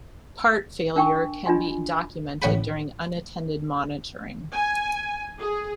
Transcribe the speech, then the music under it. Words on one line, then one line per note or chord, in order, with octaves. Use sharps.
Part failure can be documented during unattended monitoring.
D4 A#4 G5 G#5 C#6
D4 F4 D#5 G#5 C6
A1 A2 C#5 F#5 G5 B5
G#5
G#4